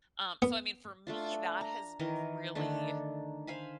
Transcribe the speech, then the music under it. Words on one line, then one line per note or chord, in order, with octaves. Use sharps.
um, so, I mean, for me, that has really
B3
A3 D4 F4
A#5
D#3 E3 A#4 D#5
D3 D#3 A3 D4
C5 F5 G#5 B5